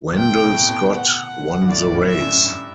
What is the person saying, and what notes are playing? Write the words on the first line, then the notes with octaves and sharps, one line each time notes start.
Wendell Scott won the race.
C3 G5
A2
B2
B2
F#5
G2
A2 D5
G2
E5
F#2
G2